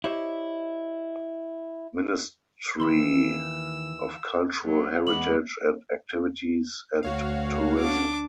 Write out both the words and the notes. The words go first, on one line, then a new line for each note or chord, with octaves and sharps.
Ministry of Cultural Heritage and Activities and Tourism.
E4 G4 C5 C#5 D#5 E5
D#2 D#3 E3 B5 C6 E6
F#3
E2 G#3 B3 F#5 B5 D6 F#7
D2 F#4 C#5 F5
D4 D6